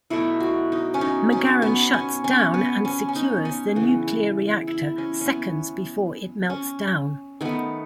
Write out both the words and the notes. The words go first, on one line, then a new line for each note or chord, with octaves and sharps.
McGarren shuts down and secures the nuclear reactor seconds before it melts down.
B2 F#3 A3 E4
F#4
D#4
C#4
D#4
C#4
B3
C#4
C#4
B3
C#4
C#4
D#4
C#4
C#3 E3 B3
E4
C#4
C#4
B3
C#4
D#3 A3 B3